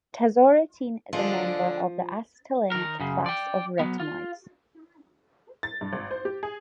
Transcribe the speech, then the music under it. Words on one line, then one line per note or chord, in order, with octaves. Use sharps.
Tazarotene is a member of the acetylenic class of retinoids.
D3 F3 G#3 D4
D#3 A#4
F#2 C#3
D5 G5
F#3 B3
F4
A6
G2
G#1
C5
G4
G#4